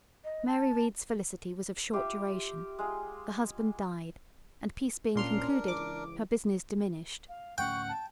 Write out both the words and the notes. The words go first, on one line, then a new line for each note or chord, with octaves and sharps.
But Mary Read's felicity was of short duration; the husband died, and peace being concluded, her business diminished.
D#5
A5
F4 G4 E5
G#3 F4
A#2 C#4 D4 A#4 C6 F6
C#2 E3 D6
F5
D1 A2 C#4 F#5 G5 C#6
A5